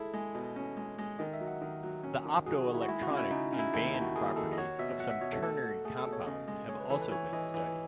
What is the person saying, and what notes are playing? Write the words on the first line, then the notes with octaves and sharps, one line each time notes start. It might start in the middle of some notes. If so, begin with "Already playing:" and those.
The optoelectronic and band properties of some ternary compounds have also been studied.
Already playing: G#3 E4 G#4 A4
G#3
B2
C#4
G#3
G#3
D#3 D#5
E5
F#3
F#5
D#3
F#3
C#4
D#3
F#3 G#4
F#4
D#3
E4
F#4
G#3 E4
F#4
C#3
E4
C#3 D#4
C#3
E4
D#2 E4
D#2
F#4
D#2 G#4
D#2 A4
D#5
F#4 C#5
B2 E5
F#4 F#5
E5
B2 C#5
A4
A3 A4
F#4
A3 G#4
A4
B2
C#5
C#3 D#5
G#3
G#3 C#5
B4
E3 A4
B4
E3 C#5
E3 D#5
E3